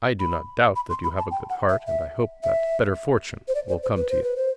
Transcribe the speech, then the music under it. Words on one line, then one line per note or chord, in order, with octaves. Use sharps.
I do not doubt that you have a good heart; and I hope that better fortune will come to you.
B5
B5
C6
B5
A5
G5
F#5
E5
E5
E5
C5
D5
C5
C5
B4
C5
B4
C5